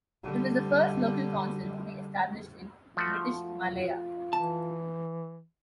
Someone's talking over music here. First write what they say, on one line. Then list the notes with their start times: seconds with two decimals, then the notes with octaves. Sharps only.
It was the first local council to be established in British Malaya.
0.24 D3 G3
2.97 F3 A3 F4 F#4
4.33 E3 A5